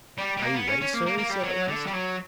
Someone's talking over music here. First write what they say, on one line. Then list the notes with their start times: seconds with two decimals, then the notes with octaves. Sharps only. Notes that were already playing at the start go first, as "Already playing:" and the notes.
"Are you ready, sir?" he said at last.
0.18 G3
0.37 G3
0.42 A#3
0.55 B3
0.67 C#4
0.81 C#4
0.93 A#3
1.06 A#3
1.17 A#3
1.29 G3
1.43 F#3
1.68 D3
1.87 G3
1.93 F#3